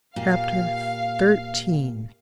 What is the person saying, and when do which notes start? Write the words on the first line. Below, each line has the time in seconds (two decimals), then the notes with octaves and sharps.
Chapter XIII.
0.16 A#2 G4 F5